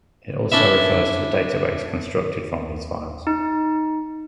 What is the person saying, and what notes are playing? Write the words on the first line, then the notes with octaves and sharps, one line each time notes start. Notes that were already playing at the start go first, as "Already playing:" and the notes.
It also refers to the database constructed from these files.
C#4 D4 E4 E5
D#4